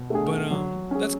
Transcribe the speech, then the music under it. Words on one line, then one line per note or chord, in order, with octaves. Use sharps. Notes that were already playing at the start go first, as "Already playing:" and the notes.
But, um, that's
Already playing: B2
A3 D4 G#4
F#3
C#4 G#4